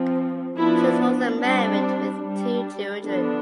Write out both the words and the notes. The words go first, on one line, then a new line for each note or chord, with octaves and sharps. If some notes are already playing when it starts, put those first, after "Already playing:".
She was also married with two children.
Already playing: F3 C4
F3 B3 D4 E4
G3 C4 D4
G3 D4
D3 F3 B3 D4